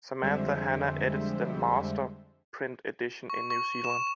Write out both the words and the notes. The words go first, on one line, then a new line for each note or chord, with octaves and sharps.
Samantha Hannah edits the "master" print edition in New Zealand.
F2 D3 G3 G#3 C5 E5
C#6
C#6
E7